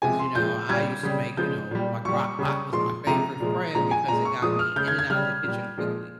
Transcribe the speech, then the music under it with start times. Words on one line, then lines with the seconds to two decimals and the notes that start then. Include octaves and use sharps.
As you know, I used to make, you know my crockpot was my favorite friend because it got me in and out of the kitchen quickly.
0.02 C3 F3 G#3 G#5
0.19 C6
0.35 A#2 F3 G#3 G6
0.69 A#2 G3 G#6
1.03 C#3 G3
1.37 C#3 F3 G#3 G6
1.71 A#2 G3
2.05 A#2 G3 C#6
2.39 C#3 G3
2.72 A#2 F3 G#3 C6
3.07 C3 F3 G#3 A#5
3.40 A#2 F3 G#3
3.75 A#2 F3 G#3 A#5
3.91 G#5
4.08 A#2 G#3 A#5
4.25 C#6
4.42 A#2 F3 G#3 D#6
4.59 F6
4.76 C#3 G#3 G6
4.88 G#6
4.99 G#6
5.10 C#3 G3 F6
5.44 A#2 G3
5.78 A#2 F3 G#3